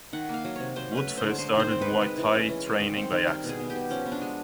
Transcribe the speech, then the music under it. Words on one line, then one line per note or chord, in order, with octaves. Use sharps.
Wood first started Muay Thai training by accident.
D#3 F#5
A#3 F5
F#3
C3 C#5
F#3 C5
C#4
B4
A3
C5
D3
G#3 C5
D#3 C5
C4
D#3 B4
G#3
E3
C#4
E3
G#3
D#3
C4
D#3
G3 A#4
B2
G#4
B3
G4
B2
F3 C#4
B3
D4
G#3